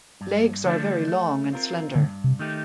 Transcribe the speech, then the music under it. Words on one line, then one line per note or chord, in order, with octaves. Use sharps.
Legs are very long and slender.
G2
D3 F3 A3 D4
A3
C4 F4 A#4
G2 D3
C3
D#3 A3 D#4 G4